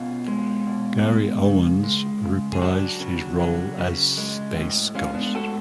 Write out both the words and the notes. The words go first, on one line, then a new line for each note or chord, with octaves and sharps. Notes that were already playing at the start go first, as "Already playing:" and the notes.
Gary Owens reprised his role as Space Ghost.
Already playing: B2 C#4 F4
G#3
B2
G#3
C#3
G#3
C#3
G#4
F#3 D4 F#4
C#3
F#3
C#3
G#3
A2
G#3 C#4 F4
B3 D4
A2 F#4 A4